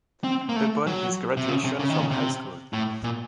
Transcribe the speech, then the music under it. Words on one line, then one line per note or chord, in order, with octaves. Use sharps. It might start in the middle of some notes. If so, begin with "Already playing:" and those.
Upon his graduation from high school.
C4
A#3
A3
F#3
C3
C#3
C3
C#3
D#3
C#3
C3
A2
A#2